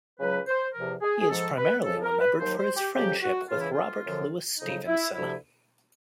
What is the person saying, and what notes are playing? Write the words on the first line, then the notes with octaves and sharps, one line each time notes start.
He is primarily remembered for his friendship with Robert Louis Stevenson.
C#2 C#3 F#3 B4
C5
E2 C3 F3 A#4
G#4
G#4
G#2 F3 A4
B4
F2 C#3 F3 A4
A#4
B4
D#2 D#3 F#3 C5
C5
G4
F2 C#3 F#3 G4
F#4
C#2 C#3 E3 F4
E4
F4
F#2 D3 F3
F2 C#3 F#3 D#4
E4
D2 C3 F3 E4